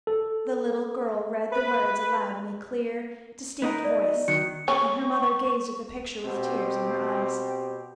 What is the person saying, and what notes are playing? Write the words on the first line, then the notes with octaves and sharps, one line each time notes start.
The little girl read the words aloud in a clear, distinct voice; and her mother gazed at the picture with tears in her eyes.
A4
B4
B3 D#4 A#4
D5 D#5
D#3 F#3 C#7
C#4 C#6
B2 C4 G4